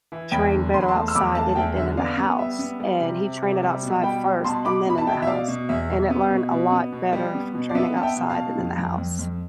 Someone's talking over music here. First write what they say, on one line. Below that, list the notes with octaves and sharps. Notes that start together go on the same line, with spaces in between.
trained better outside than it did in the house, and he trained it outside first and then in the house, and it learned a lot better from training outside than in the house.
E3
E2 G5 B5
D3
E2 C6
B5
A5 C6
A3
E6
E2 B5 D6
A3 F5 A5
A5
E2 E5 G5
D3 E5
B3 D5 F5
B3
G3 E5
B3
G3
C3
C3
C3
G3
B2
G3 G5 B5
B2
B2 A5 C6
B2 B5 D6
B2 B5
A5
B2 E5 G5
E5
B2 D5 F5
B2
E2 E5
B2
B3
B2
B2
B3
B2
G3
B3
B2
D5
B3 E5
B3 A5
E5 G5
B2
F5 A5
B2
F2
F2
F2
F2